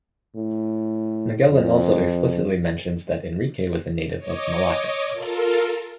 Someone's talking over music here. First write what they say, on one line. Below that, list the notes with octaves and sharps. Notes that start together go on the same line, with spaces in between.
Magellan also explicitly mentions that Enrique was a native of Malacca.
A2
F2
C#5 D#5 D6
F4 A4 A#4